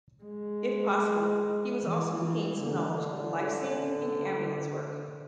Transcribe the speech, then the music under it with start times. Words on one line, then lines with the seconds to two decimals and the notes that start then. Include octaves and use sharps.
If possible, he was also to gain some knowledge of "life-saving and ambulance work".
0.24 G#3
1.82 E3
2.22 E3
2.62 D3